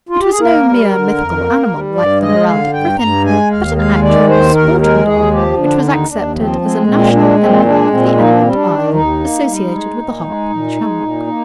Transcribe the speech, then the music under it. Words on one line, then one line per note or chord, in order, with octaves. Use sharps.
It was no mere mythical animal like the heraldic griffin, but an actual sporting dog which was accepted as a national emblem of the Emerald Isle, associated with the harp and the shamrock.
F4
G4
G#4
A#3 A#4
G3
D3
F2
A#3
G3
G2 D5
G#3 D#5
D3 F5
G2 G5
G2 A#5
G#3 G#5
D#2 F5
G#3 F5
D#3 D5
D#2 C5
D#2 A#4
G#3 A#4
D#2 G#4
F3 G4
D3 D4
D#2 D#4
D#2 D4
F3 C4
G#3 C4
A#2 C4
G#3 D4
A#2 C4
G#3 D4
A#2 C4
A#3 D#4
D4
G3 C4
D4
D#3
D#2 D#4
A#3
G3
G#3
A#2
G#3
A#2
G#3
A#2
A#3